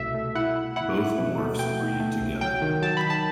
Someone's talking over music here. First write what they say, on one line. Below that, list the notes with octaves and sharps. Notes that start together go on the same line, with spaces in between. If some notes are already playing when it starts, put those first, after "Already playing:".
Both morphs breed together.
Already playing: C2 B2 A3 E5
A3
E4 F#5
E4
E4 F#5
E4
B2
A3
B2 G5
B2
A3
C2
F#3 G5
D#3
F#3 A5
B5
D#3
A5